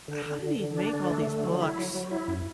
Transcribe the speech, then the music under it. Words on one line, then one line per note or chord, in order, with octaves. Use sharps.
How did he make all these books?
D3
D3
D3
D3
D4
D3
A3
D3
F#3
E4
F#3
F#3
E4
F#2